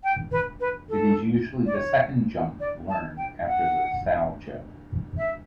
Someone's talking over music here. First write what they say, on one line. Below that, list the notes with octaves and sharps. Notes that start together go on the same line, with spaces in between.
It is usually the second jump learned after the Salchow.
G5
B4
B4
A4
D5
C#5
D5
A5
G5
F#5
E5